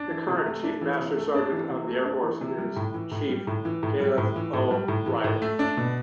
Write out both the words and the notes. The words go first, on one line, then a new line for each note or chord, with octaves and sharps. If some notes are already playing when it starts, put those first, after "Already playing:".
The current Chief Master Sergeant of the Air Force is Chief Kaleth O. Wright.
Already playing: D4
E3
C3
A3
D4
E3
C3
A3
D4
E3
C3
A3
D4
E3
C3
G3
A2
E3
A2
G3
A2
E3
A2
G3
A2
E3
A2
G3
A2
E3
A2
A3
D4
B2